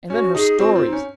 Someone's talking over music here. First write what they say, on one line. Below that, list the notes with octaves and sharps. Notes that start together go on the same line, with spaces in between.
And then her stories!
C#4 F#4
D#4 G#4
C4 F#4
C4 F4
D#4
C#4